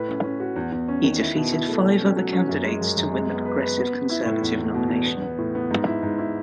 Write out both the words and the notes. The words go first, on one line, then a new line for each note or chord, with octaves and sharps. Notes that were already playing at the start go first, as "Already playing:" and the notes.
He defeated five other candidates to win the Progressive Conservative nomination.
Already playing: A2 B4
C#4
C#4
F#4
E2
E2
C#4
D#3
E4
B2
E4
A3
B2
C#4
F#3
C#4
F#2
G#3
F#2
F#2
G#3
B3
B4
B4
B3
B3
E4
A2
E2
E2
B2
E2
B3
B3
A2
B3
G#2
E4
G#2
E4